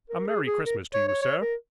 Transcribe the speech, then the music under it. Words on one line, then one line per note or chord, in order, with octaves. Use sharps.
A merry Christmas to you, sir!'
A#4
G#4
G#4
A#4
C#5
C#5
C#5
A#4